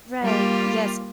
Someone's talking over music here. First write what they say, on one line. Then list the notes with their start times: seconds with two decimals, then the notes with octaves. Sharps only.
Right, yes,
0.21 G3 A#3 F4 G4